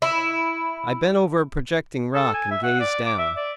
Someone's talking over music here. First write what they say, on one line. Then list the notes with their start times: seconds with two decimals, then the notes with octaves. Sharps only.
I bent over a projecting rock and gazed down.
0.02 E4
2.15 A4
2.34 G#5
2.51 E5
2.63 F#5
2.80 D5
3.06 D6
3.19 E5
3.36 D5